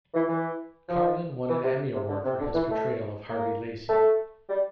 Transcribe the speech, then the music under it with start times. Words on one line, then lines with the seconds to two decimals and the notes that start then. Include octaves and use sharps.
Karlen won an Emmy Award for his portrayal of Harvey Lacey.
0.14 E3
0.28 E3
0.89 F3
1.48 E3
1.64 C3
1.94 C3
2.09 D3
2.24 C3
2.39 D3
2.53 E3
2.69 A3
3.29 A#3
3.89 A3
4.49 G3